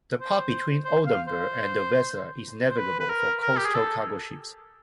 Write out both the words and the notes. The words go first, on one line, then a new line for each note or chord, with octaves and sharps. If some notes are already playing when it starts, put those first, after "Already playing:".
The part between Oldenburg and the Weser is navigable for coastal cargo ships.
C5
C5
F5
C5
C5
B4
B4
A#4
A#4
G4
G#4
A4